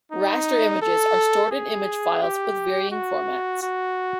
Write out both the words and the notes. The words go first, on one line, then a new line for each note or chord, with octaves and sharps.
Raster images are stored in image files with varying formats.
D#4
A4
G#4
G4
F#4
F#4